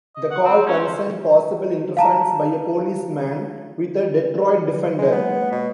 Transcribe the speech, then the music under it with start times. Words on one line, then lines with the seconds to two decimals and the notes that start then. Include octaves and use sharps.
The call concerned possible interference by a policeman with a Detroit defender.
0.16 D#5
0.31 F#5
0.44 C4
0.67 C#4
0.79 C5
1.97 F5 A5 A#5
4.67 F#3
4.98 G#3
5.12 G#3 A#3 B3 C#5
5.52 B2